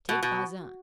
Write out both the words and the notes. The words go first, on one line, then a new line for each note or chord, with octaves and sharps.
"Take Bazin."
B2
B2